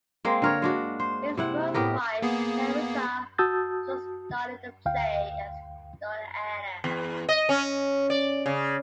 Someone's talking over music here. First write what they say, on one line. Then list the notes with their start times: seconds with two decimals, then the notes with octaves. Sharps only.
His first wife Theresa also starred in the play as “Donna Anna”.
0.25 G#3 A#3 C4
0.42 D3 A#4 C#5
0.62 G#3 D4 F#4
0.99 C5
1.37 C3 E4 F#5
1.74 A2 B3 G4 A#4
2.22 A#3 B3 G#4
3.38 F#4 A5 D#6 E6 G6 A6
4.86 D2 F5 G5
6.84 E2
7.29 D#5
7.49 C#4
8.10 D5
8.46 C#3